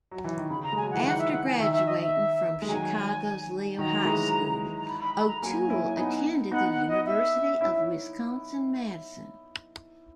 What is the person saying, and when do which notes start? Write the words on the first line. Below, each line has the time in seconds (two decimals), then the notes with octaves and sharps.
After graduating from Chicago's Leo High School, O'Toole attended the University of Wisconsin-Madison.
0.11 F#3
0.24 E3
0.37 D#3
0.50 C#3 B5
0.63 A#5
0.72 G#3 G#5
0.83 F#3
0.91 E3 F#5
1.05 D#3 F#5
1.19 E5
1.32 F#5
1.46 G#5
1.59 D#3 E5
1.73 E5
1.86 D#5
2.01 E5
2.62 G#3
2.69 D#3 F#3 G#5
3.78 D#3 F#3 A#5
4.00 F#3
4.05 E3 G#3
4.77 A#5
4.88 B5
5.01 B5
5.14 B5
5.28 A#5
5.42 F#3 A#3 G#5
5.70 C#4 E4
5.97 B3 D#4
6.52 B3 D#4 F#5
6.70 F#5
6.88 D#5
7.06 E5
7.61 C#4 E4